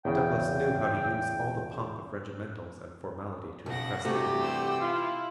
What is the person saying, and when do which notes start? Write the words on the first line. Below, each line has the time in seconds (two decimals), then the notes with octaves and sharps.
Douglas knew how to use all the pomp of regimentals and formality to impress the Indians.
0.05 E2 C#3 G5
3.66 B1 C#3 F#5 A#6
4.05 G2 C3 E3 A3 F#4 G4 C#6
4.39 C5 F#5 E6
4.80 E4 F4